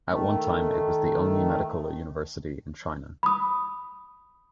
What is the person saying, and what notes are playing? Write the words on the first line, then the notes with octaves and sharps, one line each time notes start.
At one time it was the only medical university in China.
D#3 A3
B5 D#6